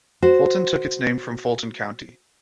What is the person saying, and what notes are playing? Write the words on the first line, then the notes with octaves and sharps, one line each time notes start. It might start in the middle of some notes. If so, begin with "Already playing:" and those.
Fulton took its name from Fulton County.
F#4 C5